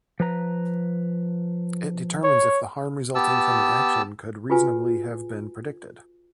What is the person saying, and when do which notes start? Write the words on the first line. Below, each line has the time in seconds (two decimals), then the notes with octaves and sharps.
It determines if the harm resulting from an action could reasonably have been predicted.
0.20 F3 B4 A#5
2.24 C#5
3.15 B3 G4 A5 E6
4.50 F4 F#4 G#4 B4 G#5